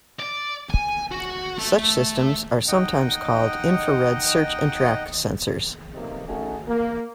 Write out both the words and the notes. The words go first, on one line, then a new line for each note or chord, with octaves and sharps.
Such systems are sometimes called infrared search and track sensors.
D5
G#5
F#4
A3
D#4 D#5 F#5 G5
B1 C3 D#3 A#3 D#4
A3 C#4 D#4 F#4 G#4
A#3